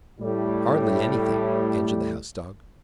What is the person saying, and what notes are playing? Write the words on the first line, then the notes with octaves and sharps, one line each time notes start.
"Hardly anything," answered the House Dog.
A2 G3